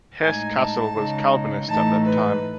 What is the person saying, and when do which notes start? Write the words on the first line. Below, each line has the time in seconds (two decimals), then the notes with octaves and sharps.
Hesse-Kassel was Calvinist at that time.
0.21 A2 G#3 D#4 G#5
0.57 A5
0.95 C#3 G#3 D#4
1.68 A2 E3 A3 D#4 A5
2.05 B4